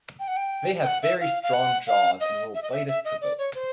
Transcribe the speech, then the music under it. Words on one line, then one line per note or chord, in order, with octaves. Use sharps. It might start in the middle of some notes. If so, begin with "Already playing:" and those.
They have very strong jaws and will bite if provoked.
G5
F#5
G5
G5
F#5
E5
F5
F5
F#5
F5
D#5
E5
D#5
E5
E5
D#5
D5
C#5
C5